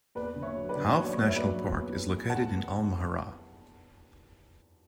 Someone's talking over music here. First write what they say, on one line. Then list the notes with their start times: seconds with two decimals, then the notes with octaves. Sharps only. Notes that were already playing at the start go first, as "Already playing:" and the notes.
Hauf National Park is located in Al Mahrah.
0.15 E2 B4 D5
0.35 D3
0.42 C#5 E5
0.56 F#3
0.69 B4 D5
0.76 D3
0.95 F#3 C#5
1.04 D5
1.13 E2 C#5
1.27 E5
1.36 F#3 B4 D5
1.56 F#3
1.76 E2
1.96 E2
2.16 E2
2.29 F#5 A5
2.36 E2